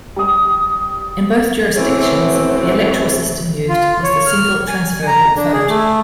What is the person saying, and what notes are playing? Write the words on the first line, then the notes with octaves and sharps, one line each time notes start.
In both jurisdictions the electoral system used was the Single transferable vote.
G3 D#6
B2 E3 A3 C4 C#4
F4
C#5
F6
G#5
A#5
D4
G#4
A3